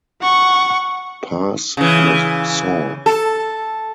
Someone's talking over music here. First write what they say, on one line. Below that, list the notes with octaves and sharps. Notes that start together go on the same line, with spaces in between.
Pass the salt.
F#5 C#6
C#3 E3
A4